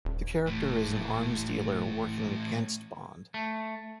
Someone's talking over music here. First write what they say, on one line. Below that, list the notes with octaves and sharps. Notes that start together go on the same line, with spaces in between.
The character is an arms dealer working against Bond.
D#1
A2 E3
A3